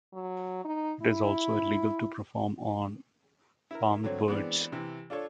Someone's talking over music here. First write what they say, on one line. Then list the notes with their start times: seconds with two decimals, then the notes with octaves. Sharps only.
It is also illegal to perform on farmed birds.
0.14 F#3
0.65 D#4
1.02 E4
3.71 E4 A#4
4.04 D3 F#3 C4 C#5
4.28 E3 G#3 B3 C4 D4
4.72 C3 E3
5.10 D4 F4 A4 C#5